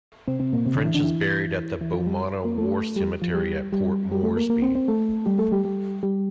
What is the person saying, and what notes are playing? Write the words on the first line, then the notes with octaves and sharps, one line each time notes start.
French is buried at the Bomana War Cemetery at Port Moresby.
C3 C4
C3 C4
A#2 A#3
C3 C4
D3 D4
E3 E4
D3 D4
E3 E4
E3 E4
F3 F4
G3 G4
A#3 A#4
A3 A4
G3 G4
F3 F4
G3 G4
G3 G4
G3 G4
A3 A4
A#3 A#4
A#3 A#4
C4 C5
C4 C5
A3 A4
G3 G4
A3 A4
G3 G4
G3 G4
G3 G4